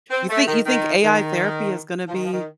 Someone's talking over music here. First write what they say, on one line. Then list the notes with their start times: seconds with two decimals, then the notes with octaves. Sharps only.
You thi you think AI therapy is gonna be
0.10 C4
0.29 A3
0.47 D#3
0.66 D#3
1.03 D#3
2.09 F3
2.14 D#3
2.25 F3
2.32 D#3